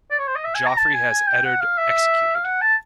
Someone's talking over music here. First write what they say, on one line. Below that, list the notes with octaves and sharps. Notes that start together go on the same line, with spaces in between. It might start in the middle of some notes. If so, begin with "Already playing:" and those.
Joffrey has Eddard executed.
D5
C#5
C5
D#5
E5
G#5
A#5
A5
G#5
G#5
G5
F#5
F5
E5
F5
F#5
A5